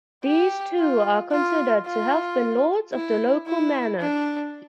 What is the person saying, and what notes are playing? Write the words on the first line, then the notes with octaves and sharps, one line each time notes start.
These two are considered to have been lords of the local manor.
G4
F4
F4
F4
E4
E4
D4